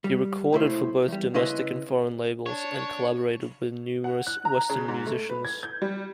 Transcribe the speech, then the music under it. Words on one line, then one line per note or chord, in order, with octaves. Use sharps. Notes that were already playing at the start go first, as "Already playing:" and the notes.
He recorded for both domestic and foreign labels, and collaborated with numerous western musicians.
G3
C2 A2 E4 C5
E2 G3
C#3 C#4 E4 B4 D#5 C6
D4 C#5
F#5
F#6
A#5
C#3
G#2
A3
B4
G#6
G6
G3